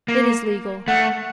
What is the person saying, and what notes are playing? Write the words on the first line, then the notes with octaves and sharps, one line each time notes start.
It is legal.
A#3
A3 F#5